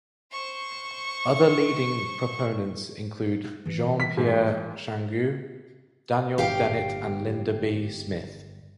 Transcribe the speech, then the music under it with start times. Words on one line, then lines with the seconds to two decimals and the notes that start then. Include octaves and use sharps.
Other leading proponents include Jean-Pierre Changeux, Daniel Dennett and Linda B. Smith.
0.32 C5 C#6
3.66 E3 G3
4.00 B6
4.17 G#2
6.38 G1 G4 F5 G5